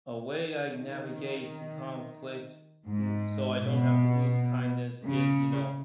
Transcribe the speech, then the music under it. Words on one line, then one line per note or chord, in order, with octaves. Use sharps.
A way I navigate e conflict n so I don't have to lose kindness is, you know,
D#3
G#2
B2
C#3